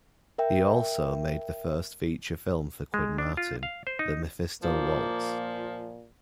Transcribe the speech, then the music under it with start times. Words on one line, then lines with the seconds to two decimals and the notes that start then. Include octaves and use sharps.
He also made the first feature film for Quinn Martin, "The Mephisto Waltz".
0.38 A#4 E5 G5
2.94 G#3
3.18 D4
3.37 F4
3.63 F5
3.87 C5
3.99 D#4
4.63 A#2 F3 A#3